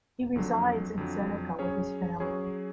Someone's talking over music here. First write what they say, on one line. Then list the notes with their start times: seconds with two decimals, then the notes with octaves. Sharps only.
He resides in Zenica with his family.
0.36 F2 D3 F#3
0.97 F2 D3 F#3
1.59 F#3 C#4 G#4 C#5
2.20 F#3 C#4 G#4 C#5